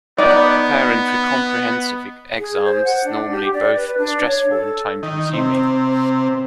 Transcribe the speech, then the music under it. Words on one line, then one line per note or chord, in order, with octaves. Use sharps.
Preparing for comprehensive exams is normally both stressful and time consuming.
B3 D#4 D5
G#4
C5
F#5
D4
G4
D5
B4
D4
C#5
A4
D#3
C3